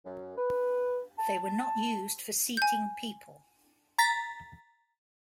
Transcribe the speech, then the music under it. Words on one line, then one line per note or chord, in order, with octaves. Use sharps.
They were not used for seating people.
F#2
B4
A5
G#5 G6
A#5 A6 B6